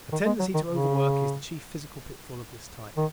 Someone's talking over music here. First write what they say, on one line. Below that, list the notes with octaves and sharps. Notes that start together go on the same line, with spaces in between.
A tendency to overwork is the chief physical pitfall of this type.
D#3
G#3
F#3
D#3
C#3
D#3